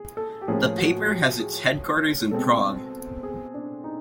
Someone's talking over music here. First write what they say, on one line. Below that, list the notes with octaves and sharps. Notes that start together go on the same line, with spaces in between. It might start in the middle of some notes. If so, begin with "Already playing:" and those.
The paper has its headquarters in Prague.
Already playing: G#4
A4
G4
A2 F3 A#3 C#4 G#4
F#4
G4
G#4
B2 G#3 C4 A4
G#4
D4
D#4